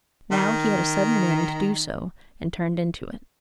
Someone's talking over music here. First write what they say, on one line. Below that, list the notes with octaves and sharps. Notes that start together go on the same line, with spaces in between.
Now he had a sudden whim to do so and turned into it.
D#3